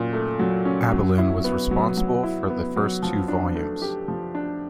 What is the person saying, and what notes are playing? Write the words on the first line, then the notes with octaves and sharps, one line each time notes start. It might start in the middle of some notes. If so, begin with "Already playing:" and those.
Abelin was responsible for the first two volumes.
Already playing: A#2 F#3 C#4
A3
F#3
C#4
F#3
E4
B3
F#3
F#3
E4
B3
F#3
F3
D4
A3
G4
F3
D4